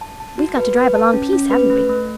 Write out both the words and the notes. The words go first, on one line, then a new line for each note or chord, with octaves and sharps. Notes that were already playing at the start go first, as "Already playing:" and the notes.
We've got to drive a long piece, haven't we?
A5
A5
F#4
B4
B4
A5
C#4
C#4
B4
A3
A3